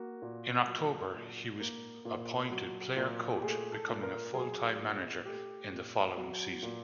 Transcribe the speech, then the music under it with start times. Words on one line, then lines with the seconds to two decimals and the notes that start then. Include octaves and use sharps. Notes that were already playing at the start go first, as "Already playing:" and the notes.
In October he was appointed player-coach, becoming a full-time manager in the following season.
Already playing: A#3 F#4
0.22 A#2
0.67 F#3
1.14 A#2
1.60 A#3
2.05 A#2
2.51 F#3
2.97 A#2
3.36 G4
3.42 A3 G#4
3.72 A4
3.89 A#2
4.03 A#4
4.34 F#3 G#4
4.80 A#2
5.25 A3 G4
5.72 A#2
6.18 F#3
6.63 A#2